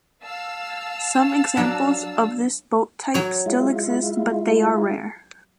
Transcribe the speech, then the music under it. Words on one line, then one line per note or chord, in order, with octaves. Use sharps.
Some examples of this boat type still exist but they are rare.
F5 A5 E6
F#3 D4
F#3 C#5
G#3 E4 F4